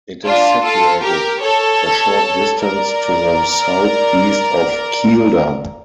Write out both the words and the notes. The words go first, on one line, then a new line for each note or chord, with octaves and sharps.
It is situated a short distance to the south-east of Kielder.
D4 F4
F4 A4
G4 A#4
A4 C#5
A#4 D5